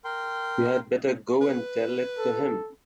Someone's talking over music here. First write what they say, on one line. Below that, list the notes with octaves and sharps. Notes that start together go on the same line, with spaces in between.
You had better go and tell it to him.
A#4 G5 C6
B4
A4